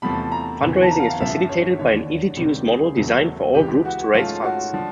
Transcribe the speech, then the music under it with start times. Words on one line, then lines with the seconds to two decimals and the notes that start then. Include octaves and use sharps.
Fundraising is facilitated by an easy-to-use model designed for all groups to raise funds.
0.02 E2 C3 F3 A3 B5
0.32 A#5
0.61 F#1 E2 C3 E3
0.83 A5
0.91 A#5
1.00 F5
1.10 F5
1.20 G1 F#2 C#3 F3 E5
1.49 C#5
1.79 E1 D#2 D3 C#5
2.37 C#2 C3 D#3 G3
2.66 G#4
2.96 F#1 E2 C#3 F#3 A3
3.55 C#2 C#3 E3 G#3 G4
3.85 F#4
4.14 G#2 F3 A3 C#4 F4
4.44 F#4
4.73 D3 F3